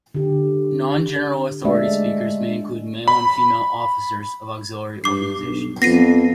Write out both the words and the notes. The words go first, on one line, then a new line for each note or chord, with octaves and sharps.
Non-general authority speakers may include male and female officers of auxiliary organizations.
D3 G4
G#3 A3 D4 D5 E5
B5
G2 D6 C7
B1
F2 B3 A#6 C7 D#7